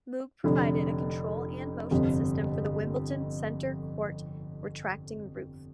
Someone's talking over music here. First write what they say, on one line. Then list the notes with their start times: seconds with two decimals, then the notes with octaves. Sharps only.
Moog provided a control and motion system for the Wimbledon Centre Court retracting roof.
0.44 F1 F2 D3
1.91 G1 F2 C3